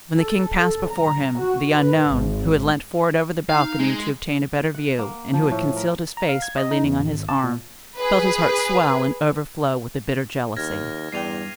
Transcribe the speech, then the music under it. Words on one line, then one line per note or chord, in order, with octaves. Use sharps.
When the king passed before him, the unknown, who had leant forward over the balcony to obtain a better view, and who had concealed his face by leaning on his arm, felt his heart swell and overflow with a bitter jealousy.
A4
A#5
F#4
B4
G#1
D#4 F5
G#3
F#5
A#3
F3
A2
A#4
A#5
F5
G#6
D#5
D#4
E2
A1
G#1
A5
A#2
G#4 B4
D#2 F6 G#6 A#6
E2 G2 D5 G5 C7 D#7 F7